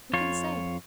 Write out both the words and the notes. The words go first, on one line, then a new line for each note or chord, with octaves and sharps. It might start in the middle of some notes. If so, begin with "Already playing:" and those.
Who can say?
F2 F4 C#5